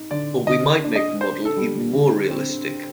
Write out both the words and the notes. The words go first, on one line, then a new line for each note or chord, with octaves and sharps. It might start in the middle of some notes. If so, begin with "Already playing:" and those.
Or we might make the model even more realistic.
Already playing: D#4
D3 D5
D3 D#5
D4
D#5
D4 C5
A4
G3
D3
C4